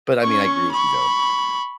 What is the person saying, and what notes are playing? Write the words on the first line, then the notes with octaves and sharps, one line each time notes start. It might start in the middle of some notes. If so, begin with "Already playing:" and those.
But, I mean, I agree with you, though.
C#4 C#6
B5 C#6